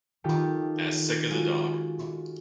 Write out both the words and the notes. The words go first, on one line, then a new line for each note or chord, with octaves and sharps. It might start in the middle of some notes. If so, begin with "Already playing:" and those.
As sick as a dog.
D#3 D#4 F4 G4 A4
G#3 F4 F#4